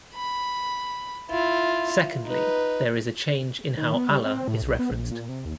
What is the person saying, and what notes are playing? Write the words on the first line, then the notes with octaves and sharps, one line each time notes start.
Secondly, there is a change in how Allah is referenced.
B5
E4 F4
D#4 B4
D#3
B3
G3
C4
A2
B1
B3
A#1
A#2
C3
D#2